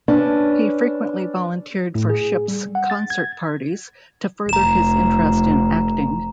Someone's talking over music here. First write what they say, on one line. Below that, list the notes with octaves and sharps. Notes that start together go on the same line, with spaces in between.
He frequently volunteered for ships' concert parties to further his interest in acting.
C#4 D4 B4
A2
G#4
G3
F#5
A6
G#6
F1 A#5 E7